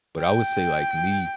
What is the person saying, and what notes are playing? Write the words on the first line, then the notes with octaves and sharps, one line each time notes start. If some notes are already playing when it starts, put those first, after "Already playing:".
but I would say like me,
G5